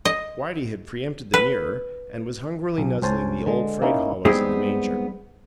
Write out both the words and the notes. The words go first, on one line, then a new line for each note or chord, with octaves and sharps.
Whitey had preempted the nearer, and was hungrily nuzzling the old frayed hollows in the manger.
D#5
B4
B1
C#2 C#4 C5 G#5 A5
D3 G#3
A#3 C#4 D#4 E4
G3 G#3 B3 C4 D#4 G#4